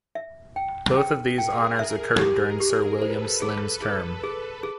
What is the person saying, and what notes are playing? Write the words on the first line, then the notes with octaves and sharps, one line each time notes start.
Both of these honours occurred during Sir William Slim's term.
E5
G5
G5
G#4 A#4 G5
E5
G4
G4
A4 B4 C5
G#4
G#4
G#4
G#4